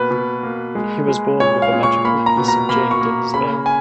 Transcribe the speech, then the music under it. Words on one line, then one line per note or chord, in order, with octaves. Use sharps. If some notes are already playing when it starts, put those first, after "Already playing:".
He was born with a magical piece of "jade" in his mouth.
Already playing: B2 A#3 B4
B2
A#3
G#3
G#3
A#2 C#5
F5
A#2
C#6
A#3 B5
A#5
B2
A#5
A#3 B5
C#6
A#3
C#3 B5
G#5